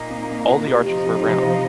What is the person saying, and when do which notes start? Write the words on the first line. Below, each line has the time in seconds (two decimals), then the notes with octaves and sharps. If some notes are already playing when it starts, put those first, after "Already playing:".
All the arches were round.
Already playing: A#2 A#3 D#4
0.10 C4
0.30 C4
0.48 F4
0.68 G4
0.86 C3 F3 D#4 G4
1.05 G4
1.24 G4
1.42 C5 F5